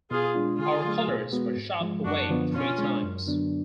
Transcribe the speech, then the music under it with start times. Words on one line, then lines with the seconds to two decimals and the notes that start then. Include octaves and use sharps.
Our colors were shot away three times.
0.11 B2 F4 G#4
0.35 G#3 D4 F4
0.59 D3 F4 G#4
0.84 F#3 A3
1.08 B2
1.32 G#3 B3 F#4
1.56 G#2
1.81 F3 G#3
2.05 F#2 D4 F#4
2.29 D3 F3 B3
2.53 B2 C#4 F4
2.79 G#3 D4
3.03 F#2
3.26 D3 F#3 B3 D4